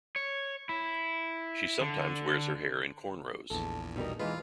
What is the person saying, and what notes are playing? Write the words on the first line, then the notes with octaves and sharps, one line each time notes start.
She sometimes wears her hair in cornrows.
C#5
E4
D3
A#1 E2 A4
B2 G3 D#4 A#4
E3 G#3 D#4 F4 B4